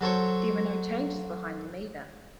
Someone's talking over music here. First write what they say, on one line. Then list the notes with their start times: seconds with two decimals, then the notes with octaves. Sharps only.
There were no changes behind them either.
0.01 F#3 A4 C5 C#5